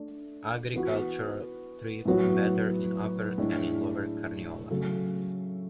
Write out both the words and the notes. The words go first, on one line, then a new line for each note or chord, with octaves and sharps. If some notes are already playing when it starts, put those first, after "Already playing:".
Agriculture thrives better in Upper than in Lower Carniola.
Already playing: A3 D4
E3 B3 F#4
A2 F#3 B3 F#4 C#5
A2 G#3 D4
C#3 F#3 A3